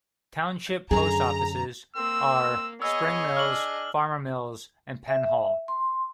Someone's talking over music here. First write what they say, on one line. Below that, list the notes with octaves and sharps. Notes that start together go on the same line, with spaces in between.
Township post-offices are Spring Mills, Farmers Mills, and Penn Hall.
F#2 D3 G#4 A#5
A#3 C4 E6
B3 G#4 C#5 D#5 E6
D4 F6 F#7
E5
C6